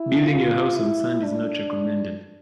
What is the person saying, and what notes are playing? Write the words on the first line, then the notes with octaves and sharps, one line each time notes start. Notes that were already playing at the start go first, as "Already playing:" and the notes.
Building your house on sand is not recommended.
Already playing: E4
F4
E4
D4